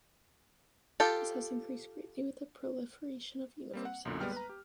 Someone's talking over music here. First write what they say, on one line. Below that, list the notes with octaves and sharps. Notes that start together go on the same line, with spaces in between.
This has increased greatly with the proliferation of universities.
F4 G4 A4
G3 A#3 C4
F#5
B1 F#2 A#2 D3
G3 G#3 A#3 B3 G5 F6
B4 A#5
G4